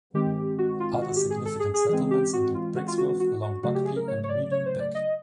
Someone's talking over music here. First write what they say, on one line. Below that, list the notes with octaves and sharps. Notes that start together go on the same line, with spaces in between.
Other significant settlements include Brixworth, Long Buckby and Weedon Bec.
D#3 G#3 C4 G4
F#4
F4
F#4
G4
G#4
A4
G#4
G#4
E3 G#3 C4 G#4
G4
F#4
F4
F#4
F4
F#4
F#4
F#4
F#4
C#3 F#3 A3 F#4
G4
G#4
A#4
C#5
C#5
D5
C#5
C5
D5
D#5